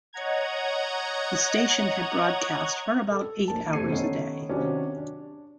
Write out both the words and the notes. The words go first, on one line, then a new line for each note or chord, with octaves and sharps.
The station had broadcast for about eight hours a day.
C#5 D#5 F#5 A#5 G#6
A4
A#1 A#4 A5
F#2 C3 A3 G#6 C7 D#7
D#3 A3 B3 C#4 D#4
C3 D#3 F#3 C#4 D4
D4